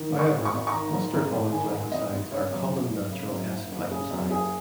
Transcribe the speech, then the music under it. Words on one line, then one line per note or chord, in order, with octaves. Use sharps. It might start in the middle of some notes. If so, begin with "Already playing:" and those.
However, mustard oil glycosides are common natural S-glycosides.
Already playing: D#3
G#2
C#6
G#1
C#6
G#1
C#6
D#3 A#5
G#2
G#1
G#1
D#3 G#5
G#2
G#1 D#5
G#1
C#3 C#5
F#2
F#1
F#1
C#3
F#2
F#1
F#1
C#3 G#4
F#2
F#1 G#4